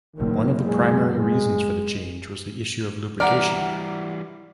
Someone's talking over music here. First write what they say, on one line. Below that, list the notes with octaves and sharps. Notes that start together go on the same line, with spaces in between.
One of the primary reasons for the change was the issue of lubrication.
F#1 A#2 D#3
G#3
G#3
E3 G3 E4 D5 F#5 A#5 F6